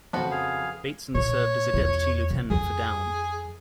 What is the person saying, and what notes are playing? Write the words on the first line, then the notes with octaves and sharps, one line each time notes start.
Bateson served as a Deputy Lieutenant for Down.
F2 C#3 F3 B3 F#4
G#4 F5
A#2 C#5
E2 F4
C3
F2 D4 G#4